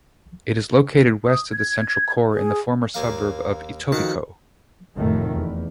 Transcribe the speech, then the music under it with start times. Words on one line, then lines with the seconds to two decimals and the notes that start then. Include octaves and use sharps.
It is located west of the central core in the former suburb of Etobicoke.
1.25 D#6
1.51 G#6
2.32 G#4
2.94 D#2 A#3 F5
3.92 F2 D#3 F#4 F#5 A5
4.96 F1 A2 D#3 A3
5.36 E2